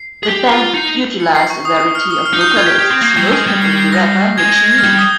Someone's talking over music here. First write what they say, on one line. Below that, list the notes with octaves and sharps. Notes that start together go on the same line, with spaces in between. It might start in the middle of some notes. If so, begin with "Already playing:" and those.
The band utilized a variety of vocalists, most notably rapper Michie Mee.
Already playing: C7
G#4
G4
F4
D#4
C#7
C7
C#6
D#6
D#6
F6
D#6
F6
D#4
G6
F4 G#6
G4
G4
C4
A#3 A#6
G3 C7
G#3 C7
G3 G#6
C7
C7
A#6
G#3 G#6
G#6
G#6
F6
G3 G6
D#6